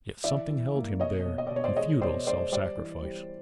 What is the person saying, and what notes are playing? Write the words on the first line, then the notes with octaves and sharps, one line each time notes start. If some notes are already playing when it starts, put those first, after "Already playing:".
Yet something held him there in futile self-sacrifice.
E3 D5 E5
E3
A#3
B2 C#5 D#5
B2
D#5
B2 D5
C#5
C5 D5
G#3 C#5 D#5
B2 C5 D5
G#3 C5 D5
G3 C5 D5
E3
G3